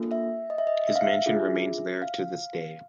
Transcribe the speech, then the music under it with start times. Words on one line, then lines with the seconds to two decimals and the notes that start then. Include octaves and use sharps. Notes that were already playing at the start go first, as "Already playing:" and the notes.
His mansion remains there to this day.
Already playing: A#3 D4 F4 A4
0.11 E5
0.50 D#5
0.58 E5
0.67 D#5
0.88 E5
0.96 F5
1.03 E5
1.26 D4 F4 G#4
2.02 F5